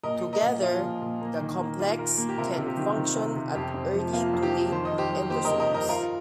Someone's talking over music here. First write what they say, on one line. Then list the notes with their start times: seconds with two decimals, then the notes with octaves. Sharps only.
Together, the complex can function at early to late endosomes.
0.03 A#2 A#4 D#5
0.24 A#2
0.33 A#4 D#5
0.42 A#2
0.62 F3 F4
0.81 A#2
1.02 A#2
1.21 A#3
1.40 D#3
1.59 A#3
1.80 F4
1.99 A#4
2.18 A#3
2.29 G4
2.38 C3 F4 A#4
2.52 F4 A#4
2.57 C3
2.67 G4
2.77 D#3 G4
2.96 D#3
3.16 C3
3.35 C3
3.55 F2 G4
3.74 F2
3.94 F3
4.13 A#3 F4
4.33 F2
4.43 G4
4.52 F3
4.72 D#3 C5
4.85 D#5
4.91 D#3
4.98 G4 C5
5.10 G3
5.30 A#3 G4 C5
5.45 D#3 A#4 D#5
5.60 A#4 D#5
5.69 G2
5.74 A#4 D#5
5.89 F4 G4 A#4